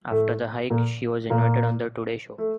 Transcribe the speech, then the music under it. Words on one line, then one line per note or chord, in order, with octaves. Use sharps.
After the hike she was invited on the "Today Show".
A2 A3
A#2 A#3
A#2 A#3
A3